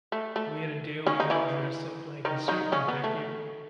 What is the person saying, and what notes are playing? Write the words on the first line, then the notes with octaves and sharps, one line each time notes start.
we had a day where we had to dress up like a certain decade.
A3
A3
C#3 C#4
D#4
E3 E4
D#3 D#4
D#3 D#4
C#3 C#4
B3
A3